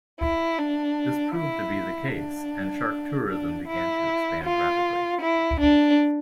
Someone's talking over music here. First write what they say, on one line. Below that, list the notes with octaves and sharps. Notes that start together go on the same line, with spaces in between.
This proved to be the case and shark tourism began to expand rapidly.
E4
D4
E4
D4
D4
E4
F4
E4
D4